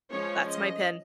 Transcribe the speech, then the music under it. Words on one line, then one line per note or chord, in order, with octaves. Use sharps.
That's my pin."
F3 G#3 C#4 C#5
D#5